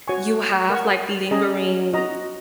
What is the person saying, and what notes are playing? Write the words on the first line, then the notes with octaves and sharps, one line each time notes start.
you have like lingering,
F#4 C#5 G#5 C#6
A#4 F#5 C#6
C#4 G#4 D#5 A#5
F#4 D#5 A#5